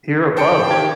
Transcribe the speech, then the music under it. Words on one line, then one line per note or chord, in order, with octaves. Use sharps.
here above,
C5 G5 A5 C#7
D#3 G4 G#6